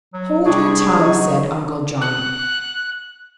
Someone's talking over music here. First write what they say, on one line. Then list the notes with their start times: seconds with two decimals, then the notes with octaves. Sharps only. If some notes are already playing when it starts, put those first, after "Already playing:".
"Hold your tongue," said Uncle John.
0.14 F#3
0.46 C3 G3 D4 G#4 C#6
1.01 C#3 F#3 D#4 C#6
2.01 F#6